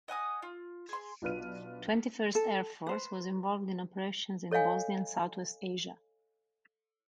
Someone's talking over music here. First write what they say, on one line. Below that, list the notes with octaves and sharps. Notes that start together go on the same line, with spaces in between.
Twenty-First Air Force was involved in operations in Bosnia and Southwest Asia.
D#5 F#5 G#5 D#6
F4
G#4 C6
B1 D4 F4 B4 F6 D#7
A4
B4 C5
A4 C#5 D#5 F5 G#5